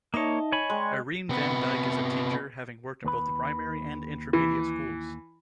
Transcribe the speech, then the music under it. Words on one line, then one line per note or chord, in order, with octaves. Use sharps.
Irene van Dyk is a teacher, having worked in both primary and intermediate schools.
A#3 D#4 C#5 D#5 E5 A5
C#5 G#5 B5
G#3 G5
C3 B3
D#2 B4 B5
E3